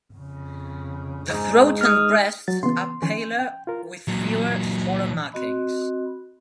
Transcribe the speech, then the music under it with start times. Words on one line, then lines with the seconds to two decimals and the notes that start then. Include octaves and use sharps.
The throat and breast are paler with fewer, smaller markings.
0.17 F2 C#3
1.30 G#2
1.81 D#6 F6
2.48 F#3 A6
2.63 C#3 E3 B3 C6
3.02 D#3 F3 C#4
3.39 G5
3.67 F4 A#4
4.08 A#2 F#3
5.33 C4 F#4 D#5 B5